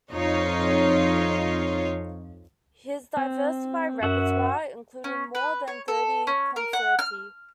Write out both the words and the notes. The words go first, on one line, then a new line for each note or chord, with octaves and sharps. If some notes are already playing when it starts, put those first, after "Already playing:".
His diversified repertoire included more than thirty concerti.
F2 D#4 F4 C#5
C4
F#2 F#4 E5 F#5
C#4
B4
C#5
A4
C#4
A#4
F#5
F6